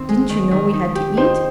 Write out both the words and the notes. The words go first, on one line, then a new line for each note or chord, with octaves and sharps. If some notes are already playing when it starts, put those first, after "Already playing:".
Didn't you know we had to eat?
Already playing: D#3 C4
G#3
D#3
D#3
D#4
G4
D#4 C5